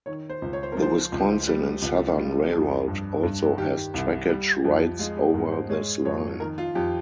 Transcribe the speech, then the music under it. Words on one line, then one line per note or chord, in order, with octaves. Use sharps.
The Wisconsin and Southern Railroad also has trackage rights over this line.
D#3 C#5
C5
C#2
C#5
C5
A#4
F3
C5
C#2
G3
C#2
G3 F4
F2
G2
G2
D#3 G4
C2
G3
F2
G#3 F4
G4
G#2 A#4
C5
G#3 C#5
F2 C#5
D#3 A#4
F4
F2 G4